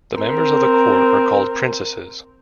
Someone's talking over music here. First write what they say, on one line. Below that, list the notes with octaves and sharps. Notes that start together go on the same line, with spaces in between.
The members of the court are called princesses.
C4 A#4